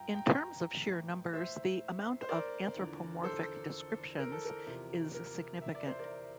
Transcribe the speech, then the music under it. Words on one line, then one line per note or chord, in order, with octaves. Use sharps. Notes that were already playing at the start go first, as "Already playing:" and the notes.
In terms of sheer numbers the amount of anthropomorphic descriptions is significant.
Already playing: G2 F3 G5 A#5
G5 A#5
G5 A#5
A2 E3
C5 E5
C5
A#4 D5
E2 D3 F3
A4 C5
A#4
A4
A#4
E2 C3 F3
A#4
E5
D5
C5
A#4 D5